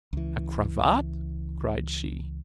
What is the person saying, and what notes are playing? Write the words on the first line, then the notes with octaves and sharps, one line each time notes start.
"A cravat!" cried she.
C#2 E3